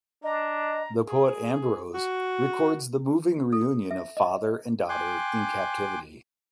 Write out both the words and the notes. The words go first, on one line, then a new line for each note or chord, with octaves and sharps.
The poet Ambroise records the moving reunion of father and daughter in captivity.
D4 D#5 A#5
G#4
F#4
A4
E5
D#5
G5 G#5 C6 D6 F#6